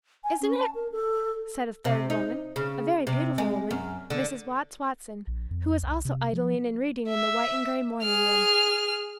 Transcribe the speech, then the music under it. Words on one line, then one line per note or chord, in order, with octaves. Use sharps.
"Isn't it?" said a third woman, a very beautiful woman, Mrs. Watts Watson, who was also idling and reading in the white-and-gray morning room.
G#5
C#4
A5
A#4
A4
C3
D#4
C#3
C3
G#3
F#2
D3
A#1
F2
C2
C3
F3
E5
G#4 F6